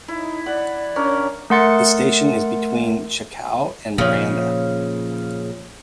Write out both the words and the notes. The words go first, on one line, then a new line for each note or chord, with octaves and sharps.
The station is between Chacao and Miranda.
D#4 E4
D5 F#5
C#4 D4 A#4
A3 A#4 F#5 C6 A6 C#7
A#2 C#3 F3